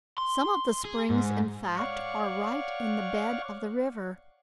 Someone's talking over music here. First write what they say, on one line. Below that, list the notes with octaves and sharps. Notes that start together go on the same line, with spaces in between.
Some of the springs, in fact, are right in the bed of the river.
C6
G#4
G#2
C#5 D5 F5 F#5 C#6